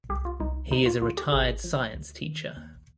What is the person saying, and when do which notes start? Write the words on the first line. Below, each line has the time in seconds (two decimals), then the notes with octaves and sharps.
He is a retired science teacher.
0.09 C2 G4
0.25 F4
0.40 C2 D#4
0.70 D2 D#4
0.86 F4
1.02 D2 F4
1.17 G4
1.32 G#1 G#4
1.64 F3
1.95 D2
2.25 D#3
2.57 D#2